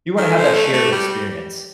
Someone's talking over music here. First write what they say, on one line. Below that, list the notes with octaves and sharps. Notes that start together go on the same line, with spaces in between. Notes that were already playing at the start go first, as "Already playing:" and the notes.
You wanna have that shared experience.
D#3 A4
F3
A3
A3 G4
G3